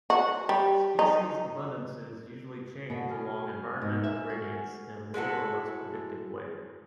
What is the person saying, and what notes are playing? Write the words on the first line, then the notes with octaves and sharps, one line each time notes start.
Species abundances usually change along environmental gradients in a more or less predictive way.
F#4
G3
D#4
B2 D3
G#5 F6
G#2
E5
F#4
G#3 E4 F#4 A4